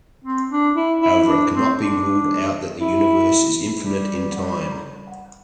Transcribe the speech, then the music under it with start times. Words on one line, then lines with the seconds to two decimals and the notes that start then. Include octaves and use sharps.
However it can not be ruled out that the Universe is infinite in time.
0.24 C4
0.51 D4
0.76 E4
1.01 E4
1.27 D4
1.53 C4
1.78 D4
2.81 E4
3.83 G3